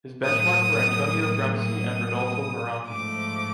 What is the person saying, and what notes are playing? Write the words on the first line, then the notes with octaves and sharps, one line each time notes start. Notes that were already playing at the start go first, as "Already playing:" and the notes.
His benchmarks were Antonio Gramsci and Rodolfo Morandi.
A2 F#3 A#3 D#6
D#6
G#2 F3 A3 D6